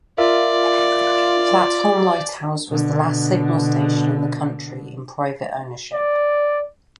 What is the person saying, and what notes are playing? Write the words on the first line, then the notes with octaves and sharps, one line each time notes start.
Flat Holm Lighthouse was the last signal station in the country in private ownership.
F4 A#4 D5 E5 F5
B2 D3
D5